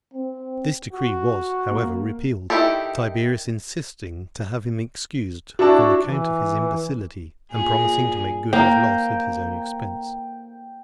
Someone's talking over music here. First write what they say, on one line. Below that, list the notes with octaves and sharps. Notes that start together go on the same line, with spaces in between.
This decree was, however, repealed; Tiberius insisting to have him excused on account of his imbecility, and promising to make good his loss at his own expense.
C4
F#4
A#3
D#3 F3 E4 G4 A4
D4 E4 F#4 A5
E3
A#2 G#4
A#3 G5 A#5 G6